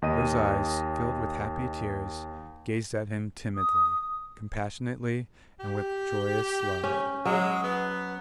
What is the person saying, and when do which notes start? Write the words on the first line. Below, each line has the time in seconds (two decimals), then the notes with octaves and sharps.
Those eyes, filled with happy tears, gazed at him timidly, compassionately, and with joyous love.
0.02 D#2 D#5 D#7
3.55 D#6
5.60 G4
6.84 C#4
7.25 F#3 G#3
7.63 B3